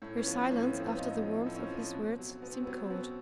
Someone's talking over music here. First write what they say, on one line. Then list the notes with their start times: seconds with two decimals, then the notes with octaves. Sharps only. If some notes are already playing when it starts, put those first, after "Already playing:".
Her silence, after the warmth of his words, seemed cold.
0.02 A2
0.18 B3 C#4
0.26 F3
0.34 B3 C#4
0.51 A2 C4
0.63 B3
0.74 F3 C4
0.87 B3
0.98 A2 D#4 F4
1.23 F3
1.46 A2 C4
1.55 C#4
1.65 C4
1.71 F3
1.95 B2
2.19 F#3
2.42 B2 B3
2.53 C4
2.64 F#3 B3
2.84 C4
2.90 B2 B3